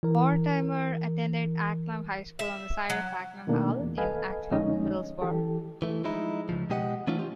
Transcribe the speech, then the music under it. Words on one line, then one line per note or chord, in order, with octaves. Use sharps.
Mortimer attended Acklam High School on the site of Acklam Hall in Acklam, Middlesbrough.
E3 A#4
E5
F#3
B2 D#3 A3 A#3 D4
E2
A4 B4 D#5 F5 G#5
F2 D3 G#3 C#4 D#4 D#5
E3 G4 A4
E3 A3
F3 G#3 D#4 E4
C#2 G2 F3
B2 G#3 G4 D#5 E5 F#5
E3 A3 C#4 D#4 F4
F4 G4